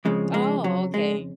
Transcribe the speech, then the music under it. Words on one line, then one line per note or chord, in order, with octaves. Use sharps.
Oh, okay.
F2 C#3 F3 G#3
G#3
F#3
G#3